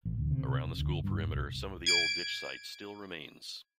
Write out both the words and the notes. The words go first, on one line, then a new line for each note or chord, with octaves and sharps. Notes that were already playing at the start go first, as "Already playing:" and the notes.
Around the school perimeter some of the old ditch site still remains.
A1
D2
C3
C3
F1
D2
F#1
G2
D#1
C2
G#6 D7